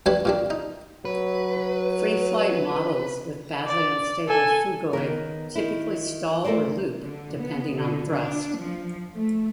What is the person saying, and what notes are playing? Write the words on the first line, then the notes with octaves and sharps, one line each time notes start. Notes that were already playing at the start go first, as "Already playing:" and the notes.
Free flight models with badly unstable phugoid typically stall or loop, depending on thrust.
F#2 G3 D4 B4 G#5 D6
A#2 G3 D4
D#4
F#3 B4
D5
A4 G#5
D#3 B3 A#4
D#3 E4
A3 A4 A#4 C5 D5
D3
B3
D3
D4
F3
A3